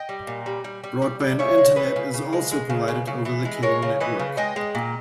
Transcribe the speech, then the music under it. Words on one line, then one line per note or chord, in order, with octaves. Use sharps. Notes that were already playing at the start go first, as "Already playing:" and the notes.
Broadband internet is also provided over the cable network.
Already playing: D#5 G5
G3
A#2
G3
G3
G3
G3
G3
C#3 C#5 E5
G#3
E3 B4 D#5
C#3
C#3
G#3
G#3
C#3
C#3
C#3
E3
G#3
G#3 A#4 C#5
C#3
E3 B4 D#5
C#3
G#3 D#5 G5
G#3
A#2